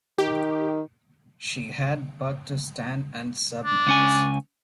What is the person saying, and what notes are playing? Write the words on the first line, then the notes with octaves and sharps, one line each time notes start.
She had but to stand and submit.
D#3 G4
D4
C#2 C#4 G#5